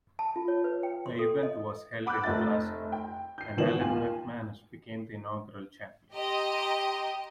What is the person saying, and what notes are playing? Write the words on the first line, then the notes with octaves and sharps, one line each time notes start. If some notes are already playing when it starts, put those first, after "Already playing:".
The event was held in Glasgow and Alan McManus became the inaugural champion.
A5
F4
C#5
B4
G5
C6
A4
D#5
F#5 B5 D6 E6 F#6 G6
F1 A3 D#5 E5 A6
G5
G6 C7
G#1 B2 D#3 E3 E7 F#7
D#2 A#2 F4 F5 G#5
G4 D#5 G5 A#5 C6